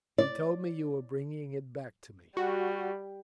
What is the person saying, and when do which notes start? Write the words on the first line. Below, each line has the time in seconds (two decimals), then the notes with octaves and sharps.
"He told me you were bringing it back to me."
0.18 D5
2.37 G3 F#4